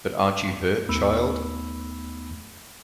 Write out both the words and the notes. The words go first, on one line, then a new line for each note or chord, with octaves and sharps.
But aren't you hurt, child?
D#2 A3 B3 D#4 B5 E6